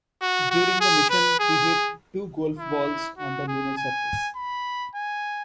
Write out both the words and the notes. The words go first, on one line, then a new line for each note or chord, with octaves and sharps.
During the mission, he hit two golf balls on the lunar surface.
F#4
F#4
G#4
B4
G#4
E4
F#4
G#4
G#5
B5
G#5